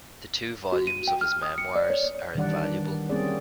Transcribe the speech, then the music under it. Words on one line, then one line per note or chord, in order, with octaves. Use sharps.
The two volumes of his "Memoirs" are invaluable.
F#4
D#7
G5
F6
D#6
C#7
D5
C#5
D#3 E3 G3 D4 D5 F#5
G3 A#3 C4 C#4 G#4 D5